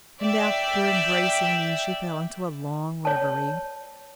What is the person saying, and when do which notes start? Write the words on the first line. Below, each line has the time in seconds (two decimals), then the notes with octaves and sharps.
And after embracing me she fell into a long reverie.
0.21 D5 E5 G5
3.05 C#5 A5